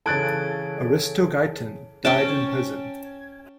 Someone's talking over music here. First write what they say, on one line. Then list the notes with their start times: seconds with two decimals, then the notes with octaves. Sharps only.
Aristogeiton died in prison.
0.06 C#3 E3 A4 A5 F#6 G#6 A6 D7
2.05 C#4 G5 A5